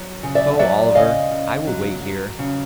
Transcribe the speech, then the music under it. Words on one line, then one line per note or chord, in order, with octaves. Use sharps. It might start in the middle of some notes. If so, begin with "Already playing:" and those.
"Go, Oliver; I will wait here."
Already playing: F#3
C#3
D5 E5
F#3 D5 E5
C#3 D#5 F5
C#3
F#3
F#3
C#3